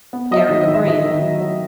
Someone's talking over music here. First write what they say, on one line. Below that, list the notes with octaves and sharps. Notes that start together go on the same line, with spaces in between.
Deryck Brand.
B3
F#3 D#5
E5
D#3
D#5
D#3
E5
D#3 D#5
D#3
F#3
F#3